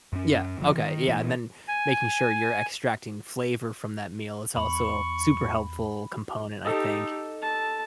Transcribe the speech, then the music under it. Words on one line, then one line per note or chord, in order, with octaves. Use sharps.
Yeah, okay, yeah, and then, making sure you're extracting flavor from that meal is also super helpful component, I think,
F#2 C#4
F#1 F3
D#3
A#2 E3
G#5
E2 B5 C#6 F#7
D#4 G4 A4 D#5
A5